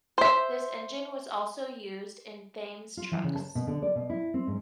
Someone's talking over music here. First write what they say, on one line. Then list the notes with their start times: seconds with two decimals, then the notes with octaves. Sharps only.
This engine was also used in Thames trucks.
0.18 C5 E5
2.97 F4
3.12 E3
3.24 C#3
3.35 A5
3.55 B2
3.67 D3
3.82 D5
3.95 B2
4.10 E4
4.34 C4
4.47 G#2